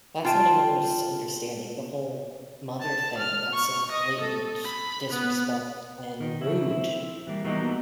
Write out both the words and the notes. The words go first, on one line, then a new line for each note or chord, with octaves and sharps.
That's not a misunderstanding, the whole mother thing, that's a blatant disrespect and rude.
F4 G5 A5
A5
F6
C#6
D#5
A4
B5
B3
D#3
C#3 F3 E4
C4 E4
E3 G3 A#3
E3 F#3 G3 A#3 B3 D#4